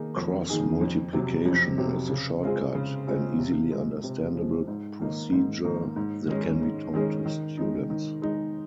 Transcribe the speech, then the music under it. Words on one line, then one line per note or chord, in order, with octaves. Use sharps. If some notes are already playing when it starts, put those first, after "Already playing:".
Cross-multiplication is a shortcut, an easily understandable procedure that can be taught to students.
Already playing: D#3 A#3 D#4 G#4
F2
D#3 A#3 D#4 G#4
F2
C3 F#3
F2
C3 F#3
C#3
G#3 C4 F4 G#4
C#3
G#3 C4 F4 G#4
C3
F3 G#3
C3
F3 G#3
G#2
D#3 A#3 D#4
G#2
D#3 A#3 D#4
G#2
D#3 G#3 C#4 G#4
G#2
D#3 G#3 C#4 G#4
D#3
G#3 D#4
D#3
G#3 D#4